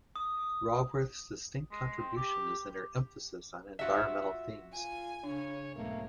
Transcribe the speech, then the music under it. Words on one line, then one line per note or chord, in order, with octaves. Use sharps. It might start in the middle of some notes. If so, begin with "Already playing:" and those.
Raworth’s distinct contribution is in her emphasis on environmental themes.
D#6
G#3
C4
G4
F4 F#4 E5
F4 G#5
C#3 D4 C#5
B1 G#2 B2 A3 A#3